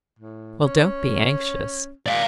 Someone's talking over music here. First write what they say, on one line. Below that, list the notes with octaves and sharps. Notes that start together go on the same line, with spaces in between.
Well, don't be anxious.
A2
C#4
G#3 D5 F5